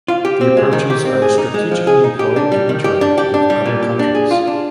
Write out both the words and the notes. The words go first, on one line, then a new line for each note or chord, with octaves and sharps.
The approaches are strategically employed to interact with other countries.
F4
G4
C4
G#3
D#3
G4
C4
G#4
D#4
G#3
F3
G#4
D#4
G4
D4
G3
D#3
G4
D4
G4
D4
G3
A#2
G4
D4
G#4
F4
D4